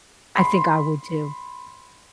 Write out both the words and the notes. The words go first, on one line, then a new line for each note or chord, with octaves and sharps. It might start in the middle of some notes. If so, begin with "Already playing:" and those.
I think I would too.
B5 C6